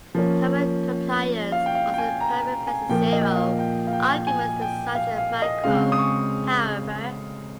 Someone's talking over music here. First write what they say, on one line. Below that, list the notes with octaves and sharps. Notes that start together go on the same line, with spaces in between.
Common compilers also permit passing zero arguments to such a macro, however.
F3 A#3 C#4
F5
G5
F5
G5
G#5
A#5
G#5
A#2 F3 A#3 G5
D#5
F5
G5
F5
G5
G#5
G5
F5
F5
D#5
C#3 G#3 C4 F5
D#6
C#6